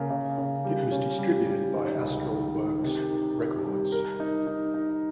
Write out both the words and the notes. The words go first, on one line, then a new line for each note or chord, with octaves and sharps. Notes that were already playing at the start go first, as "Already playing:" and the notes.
It was distributed by Astralwerks Records.
Already playing: C#3 A#3
C#3
C#3
G3
C#4
G3
G3
D#3
C#2
D#3
D#3
C3
D#3
C3
G3
A#4
D#4
D#4
D#4